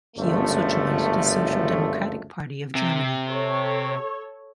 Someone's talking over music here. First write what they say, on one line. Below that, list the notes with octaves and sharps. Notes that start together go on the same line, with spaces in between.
He also joined the Social Democratic Party of Germany.
G1 C#2 F#2 F3 A3
C3
A4 C#5